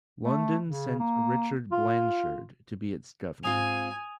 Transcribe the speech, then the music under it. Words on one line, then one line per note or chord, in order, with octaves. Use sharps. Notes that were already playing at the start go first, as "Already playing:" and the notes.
London sent Richard Blanshard to be its governor.
A3
C#3
A#3
F4
G#2 C4 F4 G#5 D#6 D#7 F7